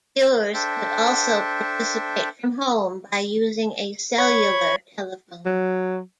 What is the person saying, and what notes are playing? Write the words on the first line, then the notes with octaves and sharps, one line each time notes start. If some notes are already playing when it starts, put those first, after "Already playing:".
Viewers could also participate from home, by using a cellular telephone.
D4 A4 C5 E5 G5
C#5 B5 C#6 G#6
F#3